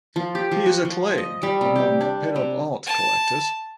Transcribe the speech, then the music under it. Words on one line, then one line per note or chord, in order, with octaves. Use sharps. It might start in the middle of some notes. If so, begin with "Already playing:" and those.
He is acclaimed among pin-up art collectors.
F3
G4
F3
F#4
F3
D#5
G3
C3
G4
D4
C3
A5